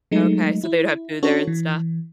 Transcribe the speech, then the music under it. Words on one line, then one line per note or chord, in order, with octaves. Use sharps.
Okay, so they'd have food there and stuff?
F#3 G#3 A3 D#4
E4
C#4 D4 F#4 A4 C#5
E3